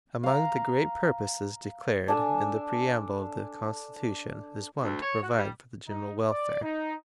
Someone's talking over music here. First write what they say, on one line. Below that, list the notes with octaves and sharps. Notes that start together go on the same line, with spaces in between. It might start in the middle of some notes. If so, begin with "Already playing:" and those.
Among the great purposes declared in the preamble of the Constitution is one to provide for the general welfare.
F5 A#5
D4 A4 G#5
D2
C#5
F#4
G3
D#4
D5
D#4